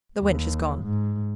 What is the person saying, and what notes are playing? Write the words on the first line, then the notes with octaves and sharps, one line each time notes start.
The wench is gone.
D#2
G#2